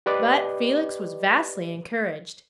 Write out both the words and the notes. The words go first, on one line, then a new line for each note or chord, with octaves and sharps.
But Felix was vastly encouraged.
G4 B4 D5 D#5